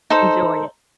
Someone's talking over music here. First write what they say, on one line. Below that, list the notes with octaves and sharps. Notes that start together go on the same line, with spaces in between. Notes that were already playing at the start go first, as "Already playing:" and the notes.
Enjoy it.
D#4 A4 C5